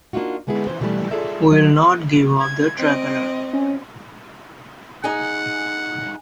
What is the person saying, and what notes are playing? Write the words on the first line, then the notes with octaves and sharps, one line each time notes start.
We will not give up the tricolour.
A#3 D4 D#4 F4 F#4
D3 G#3 B3 E4 G#4
E3 C5
B2 D3 E3 G3 A3
F4 G#4 A4 D5 E5
D#3 F#3 D#5
G#6
C4 D#5 D7
C#4
D#4 G#4 F#5 G#5